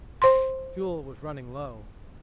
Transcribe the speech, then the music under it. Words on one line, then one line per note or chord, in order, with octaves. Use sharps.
Fuel was running low.
C5 C6